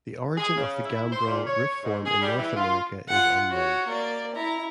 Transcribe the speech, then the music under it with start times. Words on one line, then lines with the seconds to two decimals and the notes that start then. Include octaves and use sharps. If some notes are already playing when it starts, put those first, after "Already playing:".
The origin of the gambrel roof form in North America is unknown.
0.37 G#4
0.57 C#3
0.85 E4
1.12 C5
1.27 A#2
1.47 C#5
1.83 G#2
2.05 G#4
2.22 G3
2.38 E3
2.56 F4
3.08 F4 F#5
3.50 F#4 C#5
3.87 A#3 D5
4.35 E4 A#5